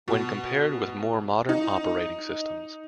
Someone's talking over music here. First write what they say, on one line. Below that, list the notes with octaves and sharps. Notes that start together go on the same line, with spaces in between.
When compared with more modern operating systems.
B2
D#4